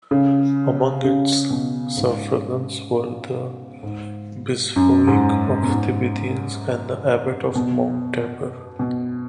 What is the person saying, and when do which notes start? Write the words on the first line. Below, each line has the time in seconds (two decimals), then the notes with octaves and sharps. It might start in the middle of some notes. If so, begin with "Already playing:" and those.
Among its suffragans were the Bishopric of Tiberias and the Abbot of Mount Tabor.
0.11 C#3
1.04 C#3
1.51 B2
1.97 G#2
3.83 G#2
4.76 F#2
5.07 G#2
5.62 B2
5.69 G#2
7.55 B2
8.79 B2